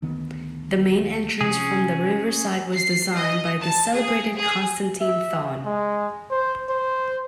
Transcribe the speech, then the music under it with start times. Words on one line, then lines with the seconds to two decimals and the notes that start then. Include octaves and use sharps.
The main entrance from the riverside was designed by the celebrated Konstantin Thon.
0.02 D2 D#3 B3
1.41 C3 F3 C#4 G#4
2.74 C7
3.15 D#5
3.61 A5
3.93 G#4
4.36 G#4
5.01 E5
5.65 G#3
6.31 C5
6.69 C5